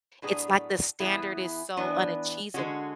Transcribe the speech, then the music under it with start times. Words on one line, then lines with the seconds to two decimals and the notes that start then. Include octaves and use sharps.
it's, like, the standard is so unachees
0.22 A2 F#3 B3 D4 G#4
1.00 E3 B3 E4 G#4
1.77 E3 B3 D4
2.54 D3 G#3 C#4 F#4